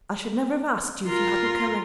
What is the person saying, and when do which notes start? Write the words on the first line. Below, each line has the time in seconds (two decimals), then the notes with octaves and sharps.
'I should never have asked you, if you hadn't come in.
1.07 F4 A#4